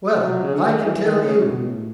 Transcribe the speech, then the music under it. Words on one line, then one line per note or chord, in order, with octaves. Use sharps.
Well, I can tell you.
F3
F#3
C#3
D3
D#3
E3
D#3
C#3
B2
A2